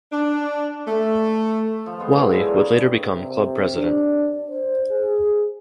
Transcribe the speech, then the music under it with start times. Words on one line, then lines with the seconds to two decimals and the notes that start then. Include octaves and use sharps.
Whalley would later become club President.
0.12 D4
0.87 A3
1.86 F3
1.99 G#3 B3 A4 C5
2.32 D4 E4 C#5 D5
2.45 G#4 A#4 C#5
2.80 G2
3.10 C3
3.75 D4
4.49 C5
4.91 G#4